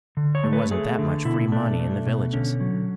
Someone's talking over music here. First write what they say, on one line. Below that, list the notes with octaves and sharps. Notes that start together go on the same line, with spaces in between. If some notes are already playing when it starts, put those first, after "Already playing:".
There wasn't that much free money in the villages.
D3
C#5
A3
B4
A3 G#4
D3
B2 E4
A3 D4
A3
B2
D3 C#4
F#3